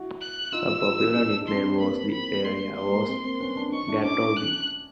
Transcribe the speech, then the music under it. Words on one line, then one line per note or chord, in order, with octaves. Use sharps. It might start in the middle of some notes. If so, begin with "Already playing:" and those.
A popular nickname for the area was Gatorville.
Already playing: E4 F#4
F#6
D#4 F4 E6
C#4 D#4
D4
D#4
C4 D4 C6
A#3 C4 B5
B5
G#3 A#3 C6
G3 C6
G#3 A#3
A#3 C4
A#3 C4
B3 C#4
C4 D4
C#4 D#4 C#6
D4 E4
C#4 D#4 D6
F#6